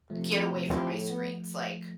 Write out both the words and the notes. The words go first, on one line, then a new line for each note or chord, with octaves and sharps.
get away from my screens, like
C3 F3 A3
F3 C4 E4 G4
C3
F3 C4 E4 G4
A2
B3